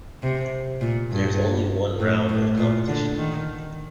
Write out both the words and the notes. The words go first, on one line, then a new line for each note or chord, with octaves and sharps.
There is only one round of competition.
C3
A#2
G2
A2
A2
A#2
D3
D#3